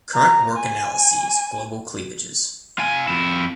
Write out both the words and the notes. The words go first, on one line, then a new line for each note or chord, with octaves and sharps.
Current work analyses global cleavages.
A#5
G#5
F4 G#5
F2 E4